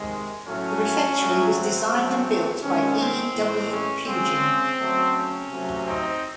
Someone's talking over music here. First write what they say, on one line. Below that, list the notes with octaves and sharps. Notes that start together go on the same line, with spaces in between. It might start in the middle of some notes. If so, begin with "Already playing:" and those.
The Refectory was designed and built by E. W. Pugin.
Already playing: C3 D#3 G#3
A2 F#3 A3 C#4
G#2 F#3 A3
C4
C#3 F#3 A3
C3 D#3 G#3 C#4
C4
A2 E3 G#3
C#4
C#3 G#3 C4
C#3 F#3 A3
C#4
C3 F#3 A3
C4 D#4